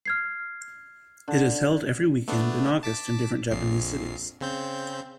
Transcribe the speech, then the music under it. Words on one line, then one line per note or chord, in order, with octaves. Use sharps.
It is held every weekend in August in different Japanese cities.
F6 G#6 C7
D3
A3 B3 D4
A5 D6 B6
A#1 F2 C7
C#3 C4 G6